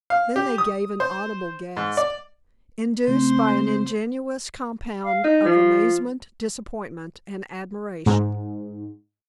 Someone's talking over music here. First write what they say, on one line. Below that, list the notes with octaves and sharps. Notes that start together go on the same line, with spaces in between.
Then they gave an audible gasp, induced by an ingenuous compound of amazement, disappointment, and admiration.
F5
G4
D#6
C5
G#2
D5
C#3 A3 C4 C5
F5
D#4
F3
G#2